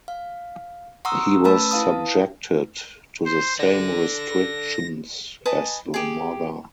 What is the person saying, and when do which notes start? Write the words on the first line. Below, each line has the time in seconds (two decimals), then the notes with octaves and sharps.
He was subjected to the same restrictions as the mother.
0.08 F5
1.05 F#5 A#5 C6 C#6 D#6 E6
1.44 A3 C#4 B4 A5 B5 E6
1.71 E4 B4 F5 A5 D#6
3.25 C5
3.59 A4 D5 A#6
5.46 B4 D#5 G#5 A5
5.94 G4 G#4